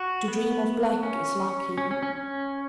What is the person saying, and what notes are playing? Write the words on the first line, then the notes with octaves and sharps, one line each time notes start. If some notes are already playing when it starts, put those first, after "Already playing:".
To dream of black is lucky.
Already playing: F#4
B3
C#4
C#4
C#4
C#4
C#4